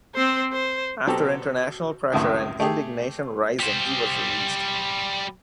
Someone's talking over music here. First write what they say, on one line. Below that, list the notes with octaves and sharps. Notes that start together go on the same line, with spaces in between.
After international pressure and indignation rising, he was released.
C4 C5
C5
B2 F#3 C4 F#4 G4 A4
C#2 F#2 A2 C3 D#3 A3
A3 G4 G#4
G3 C5